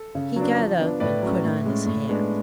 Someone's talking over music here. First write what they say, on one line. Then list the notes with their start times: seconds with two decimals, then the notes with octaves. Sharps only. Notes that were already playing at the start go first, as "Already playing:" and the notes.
He got up and put on his hat.
Already playing: A4
0.15 C#3
0.36 F#3 B3 D4
0.58 F3
0.80 B3 D4
1.00 A2 B4 D5
1.22 F#3 C#4
1.44 A2
1.65 G#3 C#4
1.86 A2
2.09 G#3 B3 D4